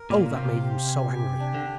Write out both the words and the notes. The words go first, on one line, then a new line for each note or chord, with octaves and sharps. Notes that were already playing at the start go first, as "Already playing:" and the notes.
Oh, that made him so angry!
Already playing: A#4
A#2 F5
C#3
C3 C5
G4
G#5
G4
D4
D3